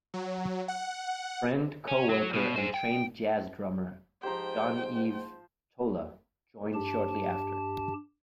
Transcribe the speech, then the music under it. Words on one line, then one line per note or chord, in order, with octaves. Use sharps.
Friend, co-worker and trained jazz drummer Jean-Yves Tola joined shortly after.
F#3
F#5
C#4
F#3
B2
G#4 C5
G5
G#2 F3 G4 C5 G5 A#5
G2 G4 A5